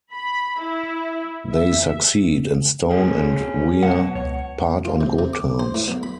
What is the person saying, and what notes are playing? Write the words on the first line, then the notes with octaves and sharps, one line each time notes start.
They succeed, and Stone and Wier part on good terms.
B5
E4
E5
A#3 C4 C#4 G#4
B2 F#3 F#5 A5
C#2 C#5
F4
C3
C3
D6
C5
A2
B1
B5